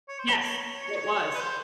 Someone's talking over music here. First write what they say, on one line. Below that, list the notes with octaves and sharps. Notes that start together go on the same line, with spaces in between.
Yes, it was.
C#5
C5
C#5
B4
C5